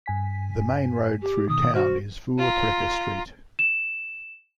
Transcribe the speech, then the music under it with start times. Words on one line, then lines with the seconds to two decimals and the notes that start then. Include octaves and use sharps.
The main road through town is Voortrekker Street.
0.06 G2 G#5 B6
1.22 G4
1.49 B2 D#3 D#6
1.75 F#4 C5 F6
2.38 F4 A#5
3.59 E7